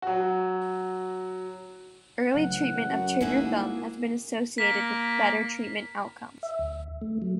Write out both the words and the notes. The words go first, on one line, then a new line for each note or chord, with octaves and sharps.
Early treatment of trigger thumb has been associated with better treatment outcomes.
F#3 F#4
A1 C#3 F#3 F#5
F#2
G#1 A3 A#3 E4 G#4
A#3 B6
E5
D2
A3
F#3